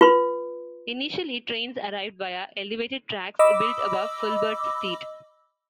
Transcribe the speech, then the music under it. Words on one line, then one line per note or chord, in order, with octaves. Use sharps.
Initially, trains arrived via elevated tracks built above Filbert Street.
F4 B4 C6
D#5 B5 D6 E6